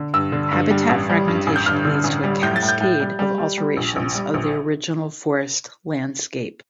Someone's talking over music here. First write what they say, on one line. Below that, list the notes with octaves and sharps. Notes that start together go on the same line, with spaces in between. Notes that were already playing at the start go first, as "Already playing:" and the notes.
Habitat fragmentation leads to a cascade of alterations of the original forest landscape.
Already playing: D3
G2 E6
D3
G2
G3
A1
G3
G2
A1
G6
G2 F6
D3
A1
G3
A2 G6
A6
A2
G6
A2
G3
G3
G3
G3
A#1
A#1
G3
A#1